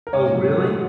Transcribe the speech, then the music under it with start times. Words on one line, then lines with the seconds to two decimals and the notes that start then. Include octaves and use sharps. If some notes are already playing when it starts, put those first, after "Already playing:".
Oh, really?
0.07 A#4
0.13 G#2 C#5
0.35 F#3
0.57 G#2 F#4